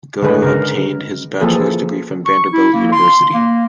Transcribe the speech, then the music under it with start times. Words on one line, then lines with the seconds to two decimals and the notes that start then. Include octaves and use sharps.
Gotto obtained his bachelor's degree from Vanderbilt University.
0.22 D3 G#3 G#4 B4
0.42 C#3 A#4
1.40 E3 F3 A#3 G#4 A4
2.26 C#6
2.53 E4
2.73 A#3
2.92 C6
3.33 A#3